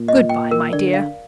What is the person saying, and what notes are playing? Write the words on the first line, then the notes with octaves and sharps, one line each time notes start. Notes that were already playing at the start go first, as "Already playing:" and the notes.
Good-by, my dear.
Already playing: A#2
D#5
G5
A#4
D3 D5
F5